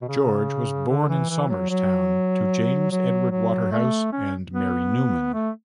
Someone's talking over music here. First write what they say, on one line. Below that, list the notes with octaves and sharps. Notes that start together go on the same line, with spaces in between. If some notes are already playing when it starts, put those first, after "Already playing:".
George was born in Somers Town to James Edward Waterhouse and Mary Newman.
B2
C#3
D3
E3
E3
F#3
F#3
F#3
F#3
A3
C#4
B3
A3